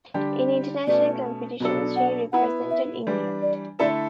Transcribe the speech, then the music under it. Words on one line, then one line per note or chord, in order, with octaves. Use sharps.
In international competition, she represented England.
D3 G3 D4 G4
B2 A3 C#4 D5
B2 F#3 B3 D4 A4
F#5
B3 E4 B4 F#5
E5
E3 G3 D4
D5
D3 A3 E4 A4 D5 E5